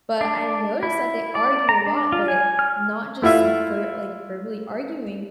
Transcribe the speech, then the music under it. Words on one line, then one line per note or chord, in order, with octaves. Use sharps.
but I noticed that they argue a lot, but not just ver like, verbally arguing,
D4
E4
D5
A#5
D4
F4
G#5
F6
A3 E4 F4 E5